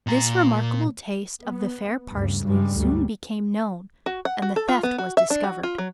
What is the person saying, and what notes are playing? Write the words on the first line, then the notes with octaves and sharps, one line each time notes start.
This remarkable taste of the fair Parsley soon became known, and the theft was discovered.
A#2 A#5
B3
D2 G2 C#3 G3
G2 C#3 G3 G#3
G1 D2 G#2 F#3 G3
F#4
F#5
F#4
A4
F4
B3
F#4
E5
D4
F#4
F4
F#3